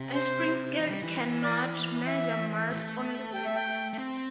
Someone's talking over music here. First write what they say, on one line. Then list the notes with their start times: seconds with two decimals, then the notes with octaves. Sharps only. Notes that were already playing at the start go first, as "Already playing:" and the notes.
A spring scale can not measure mass, only weight.
Already playing: C3
0.15 C5
0.79 E3
0.91 G3
1.03 E3
1.43 D5
2.07 E5
2.71 A3
3.34 G5
3.45 E5
3.56 G5
3.93 A3
3.99 C4